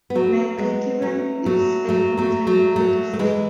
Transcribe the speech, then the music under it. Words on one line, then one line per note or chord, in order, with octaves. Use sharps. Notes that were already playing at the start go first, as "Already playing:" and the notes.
McKibben is a long-time Methodist.
B3
F#3 A3
G#3 B3
F#3 A3
F#3 A3
F#3 A3
F#3 A3
F#3 A3
F#3 A3
A3
E3 G#3